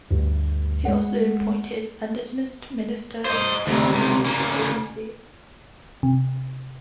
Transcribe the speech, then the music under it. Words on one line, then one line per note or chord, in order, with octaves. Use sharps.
He also appointed and dismissed ministers and heads of central agencies.
D2 G2
G#3 F#5
C5 D#5
D2 C3
C#2 C3
C#3 A#3
C3